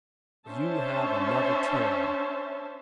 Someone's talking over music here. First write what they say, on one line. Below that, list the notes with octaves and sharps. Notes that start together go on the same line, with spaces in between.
"You have another turn."
C#4 D4 C5 E5 A5